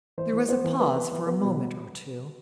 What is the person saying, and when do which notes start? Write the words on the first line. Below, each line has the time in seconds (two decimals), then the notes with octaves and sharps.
There was a pause for a moment or two.
0.18 E3 C5
0.33 E3
0.49 B3 C5
0.64 E3
0.80 B3 B4
0.96 B3
1.11 E3
1.27 B3
1.42 B2